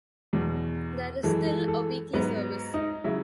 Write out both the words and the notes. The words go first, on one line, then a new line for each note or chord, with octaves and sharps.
There is still a weekly service.
E2 B2 F#3
F#2 E3 G#3 A4
A4
A4
G#2 F#3 B3 B4
D#4 D#5
C#3 F#3 E4 E5